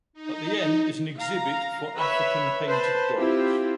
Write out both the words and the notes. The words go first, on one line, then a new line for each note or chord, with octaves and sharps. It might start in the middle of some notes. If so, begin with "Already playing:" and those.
At the end is an exhibit for African painted dogs.
D#4
F5 A#5
B4 C#5 E5 B5
B4 C5 A5
C4 E4 F4 G4